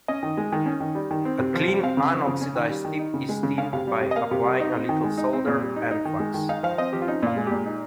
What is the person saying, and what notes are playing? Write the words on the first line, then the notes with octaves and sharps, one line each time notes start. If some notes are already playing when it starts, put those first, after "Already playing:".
A clean unoxidised tip is tinned by applying a little solder and flux.
C#4 D#5
D#3
G#3
D#3
C#4
D#3
G3
D#3
C4
C3
F3
C3
C4 F5
C#3
F3
C#3
C#4
D#3
G3
D#3
D#4
C#3
G#3
C#3
C#4 F5
C3 F5
G3
C3
D#5
A#3 F5
C3
G3
D#4
C4
D#3
G#3
D#4
C4
A#2
G3
D#4
D#4
D#3
G#3
D#3
D#4 F5
F3 F5
C4 D#5
F3 G4
F4
C#4 D#4
A#2 F4
G#3
A#2 G4
D#4